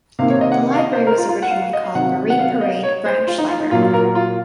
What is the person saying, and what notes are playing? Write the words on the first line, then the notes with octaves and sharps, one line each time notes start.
The library was originally called Marine Parade Branch Library.
C3 D#3 A#3 F5
C#5
D#5
F#5
F5
D#5
C5
A#4
F4
F4
F#5
F5
F5
D#5
F5
C3 D#3 F#3 F#5
F#5
F5
F5
D#5
C#5
C5
F4
D#4
F4
D#4
A#2 F#3 A#3 F4
F4
A#4
F#4
F4